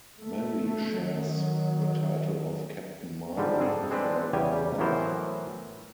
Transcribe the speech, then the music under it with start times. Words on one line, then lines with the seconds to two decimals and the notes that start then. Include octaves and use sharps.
Mary shares the title of Captain Marvel with her brother.
0.22 A3
0.99 D#3 F#3
3.37 G#2 D3 F3 G3
3.60 C4 D4 G#4 A4
3.91 G#3 C4 D4 B4
4.33 E2 C#3 G3 G4 G5 G#5
4.79 A2 E3 F#3 B3 A#4 C5